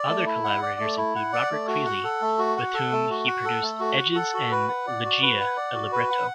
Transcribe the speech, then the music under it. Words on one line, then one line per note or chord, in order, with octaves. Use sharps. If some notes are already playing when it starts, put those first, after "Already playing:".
Other collaborators include Robert Creeley, with whom he produced "Edges" and "Legeia: A Libretto".
Already playing: D5
A3
E4
F#5
D5
A3
E4
F#5
D5
A3
F#4
F#5
A4
A3
F#4
F#5
A4
A3
F#4
F#5
A4
A3
F#4
F#5
A4
F#4
B4
F#5
D5
F#4
B4
F#5
D5
F#4
B4
F#5